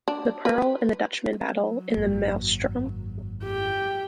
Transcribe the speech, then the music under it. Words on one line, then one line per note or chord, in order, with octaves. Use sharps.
The "Pearl" and the "Dutchman" battle in the maelstrom.
D4
B4
F#3
G#1 F#2 A#3
G4 G5